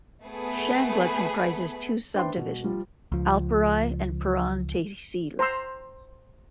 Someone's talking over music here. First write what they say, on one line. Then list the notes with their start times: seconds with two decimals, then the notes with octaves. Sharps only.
Shangla comprises two sub division, Alpuri and Puran Tehsil.
0.24 A3 B3 G#4 B5
2.15 D4 B4 C5 E5 G5 C6
2.37 B2
2.64 F3 G3
3.12 C#2 F3
5.39 C5 A#5 C6 E6